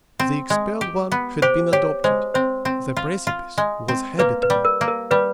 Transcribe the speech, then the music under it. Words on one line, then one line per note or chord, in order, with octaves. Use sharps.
The expelled one had been adopted; the precipice was habitable.
C4
G#3
G4
B3
G4 C5
G4 C#5
G#3 C5
C4 C5
C4
F4
F4
G#3
C4
A#3 B4
B4
G3
A#4
A#3
A#4
G3 B4